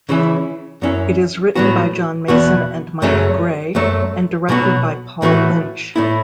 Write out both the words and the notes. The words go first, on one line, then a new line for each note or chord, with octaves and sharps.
It is written by John Mason and Mike Gray, and directed by Paul Lynch.
C#3 E3 C#4 E4
F#2 F#3 C#4 E4
A2 F#3 B3 F#4
E2 B2 B3 F#4
F#2 C#3 F#3 A3 C#4
F#2 F#3 A3
B1 B2 F#3 B3 F#4
A2 E3 A3 F#4
A2 A3 E4